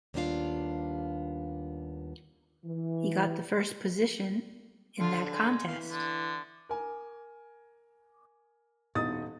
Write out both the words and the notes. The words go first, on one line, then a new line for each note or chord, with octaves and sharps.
He got the first position in that contest.
D#2 G3 B3 D4 F4 F5
E3
D3 F4
G#3
E3 F5
D3
A#4 G#5
D#1 B2 D#4 D#6 A6